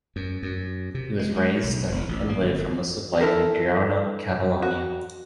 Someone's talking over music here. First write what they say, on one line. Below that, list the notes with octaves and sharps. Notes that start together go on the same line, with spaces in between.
He was raised, studied, and lived for most of his life in Girona, Catalonia.
F#2
F#2
C3
G#3
G#3
B1
E1
A1
A#3
G1
E4 A4 A#4
F#4